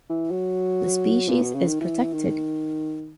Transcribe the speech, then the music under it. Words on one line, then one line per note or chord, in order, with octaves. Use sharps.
The species is protected.
E3
F#3
A#2
B2
C#3
D#3
E3
D#3